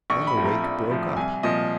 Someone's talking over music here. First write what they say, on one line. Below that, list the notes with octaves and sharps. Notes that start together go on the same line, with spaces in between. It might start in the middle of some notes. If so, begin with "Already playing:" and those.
Then the wake broke up.
A#1 C#6
B5
A2 F3 A3
A#5
A#1
A2 F3 A3
C2 G#5
A#2 F3 D#5